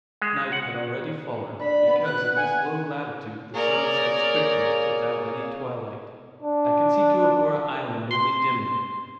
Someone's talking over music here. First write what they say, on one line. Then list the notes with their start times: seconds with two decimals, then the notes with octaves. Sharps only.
Night had already fallen, because in this low latitude the sun sets quickly, without any twilight. I could see Gueboroa Island only dimly.
0.22 G#3
0.52 F#5
1.59 D4 B5
1.87 B3
2.04 F#6
2.36 F#5 G#5
3.54 A#3 G#4 A#4 C#5 D5
6.42 D4
8.11 C6